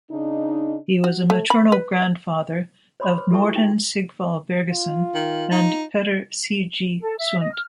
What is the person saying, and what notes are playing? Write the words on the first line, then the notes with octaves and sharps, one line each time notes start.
He was a maternal grandfather of Morten Sigval Bergesen and Petter C. G. Sundt.
C#3 D4 D#4
F#4
A3
B5
B4
C5 C#5 B5 C6 D6
B4 C5
F4 G4 A4 E5 A5 C#6
E4
D#4 G5
F4
D#3
D#4
A4
E5
D#5
F6